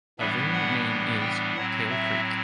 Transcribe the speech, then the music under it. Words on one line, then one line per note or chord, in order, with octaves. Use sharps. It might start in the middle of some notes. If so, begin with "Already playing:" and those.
A variant name is "Tail Creek".
A2 E3 G3 B3 D4 E5
F#5
G5
A2 F#3 C4 F#5
E5